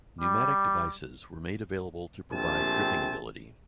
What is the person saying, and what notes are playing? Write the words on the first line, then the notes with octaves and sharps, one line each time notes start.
Pneumatic devices were made available to provide gripping ability.
G3
A#1 A3 C4 G4 G#5 A5